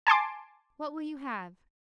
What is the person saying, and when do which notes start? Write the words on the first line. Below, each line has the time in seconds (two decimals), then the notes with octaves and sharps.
What will you have?
0.07 G#5 A5 C6 D6